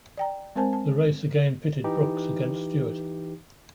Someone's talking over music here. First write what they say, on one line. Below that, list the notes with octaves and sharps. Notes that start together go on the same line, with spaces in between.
The race again pitted Brooks against Stewart.
D5 G5 A#5
G#3 C4 A#4 C5 G#5 A5
A5
E3 D#4 G4